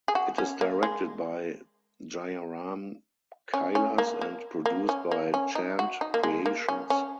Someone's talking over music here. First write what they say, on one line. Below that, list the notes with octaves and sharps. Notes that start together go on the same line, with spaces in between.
It is directed by Jayaram Kailas and produced by Chand Creations.
G#4
F#4
C#4
A#3
G#3
C#4
C#4
A#3
A#3
A#3
C#4
A#3
C#4
D#4
F#4
D#4
A#3
G#3
A#3
C#4
C#4